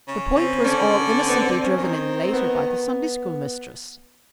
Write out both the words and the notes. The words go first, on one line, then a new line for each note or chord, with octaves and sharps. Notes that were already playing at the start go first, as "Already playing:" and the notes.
The point was all innocently driven in later by the Sunday-school mistress.
C#3
C#3 C4
D3 C#4
C4
B3
C4
C4
C#4
D#3 C4
C4
B3